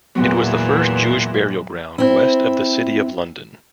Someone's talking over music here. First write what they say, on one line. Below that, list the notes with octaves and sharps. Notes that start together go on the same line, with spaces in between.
It was the first Jewish burial ground west of the City of London.
E2 A#2 E3 F#3 B3 F#4
C4 E4